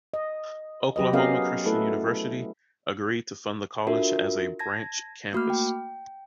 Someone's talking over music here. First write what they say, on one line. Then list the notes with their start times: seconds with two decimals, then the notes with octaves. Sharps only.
Oklahoma Christian University agreed to fund the college as a branch campus.
0.14 D#5
0.96 F#3 G4 B4 D#5
1.13 B3 C#4 G#4 A#4 D#5 F5
1.66 A3 E4 A4 B4
3.87 D4 F4 F#4 A4 A#4 E5
4.59 A5 G#6 A#6
5.33 A3 A#3 F#4 B5 D6 F6
5.50 G5